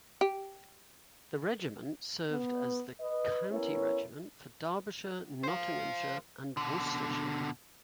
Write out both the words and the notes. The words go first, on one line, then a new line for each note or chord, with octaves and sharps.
The regiment served as the county regiment for Derbyshire, Nottinghamshire and Worcestershire.
G4
B3
B4 D#5
B3 C#4 E4 A#4 C#5
C5 F5
B2 D3